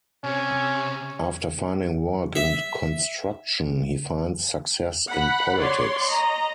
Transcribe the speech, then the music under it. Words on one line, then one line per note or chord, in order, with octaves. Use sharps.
After finding work in construction, he finds success in politics.
C3 C#4
E5
F#5 B5
C#5 D5 C6
D#5 A#5